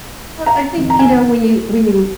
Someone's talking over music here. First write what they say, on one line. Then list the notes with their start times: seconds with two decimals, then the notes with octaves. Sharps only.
Uh, I think, you know, when you when you
0.46 A#5
0.78 F2 C3 D#3
0.90 A#5
0.99 G#5